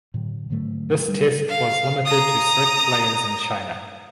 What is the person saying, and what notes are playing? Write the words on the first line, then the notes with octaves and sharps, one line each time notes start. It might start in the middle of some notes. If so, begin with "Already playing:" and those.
This test was limited to select players in China.
A2 D3 F#3
G#2 D3 F#3 A3
G3
F5
A#5 D#6